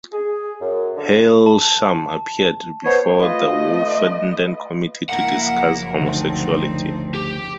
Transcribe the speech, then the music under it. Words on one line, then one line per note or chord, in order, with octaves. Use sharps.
Hailsham appeared before the Wolfenden Committee to discuss homosexuality.
G#4
F#2
D3
A5
B3 C5 C#5
A3 F4 B4 D#5
F#1 F3 A#3 E4 A#4 F#5
D2 C4 D4 D#4
G4